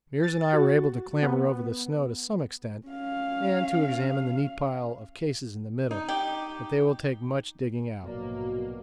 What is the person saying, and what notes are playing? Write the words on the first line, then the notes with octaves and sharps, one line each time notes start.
Meares and I were able to clamber over the snow to some extent and to examine the neat pile of cases in the middle, but they will take much digging out.
A6
F#4
B3
C#4 F5
D#4
G4
A#1 G#2 B2 F#3 A#3 D5